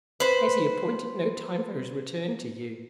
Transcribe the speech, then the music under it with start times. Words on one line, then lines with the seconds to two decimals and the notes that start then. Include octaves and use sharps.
"Has he appointed no time for his return to you?"
0.20 B4 C5